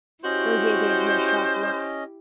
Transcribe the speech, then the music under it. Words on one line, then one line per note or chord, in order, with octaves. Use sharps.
Rosier gave her a sharp look.
C#4 E4 F#4 G4 C5 D#5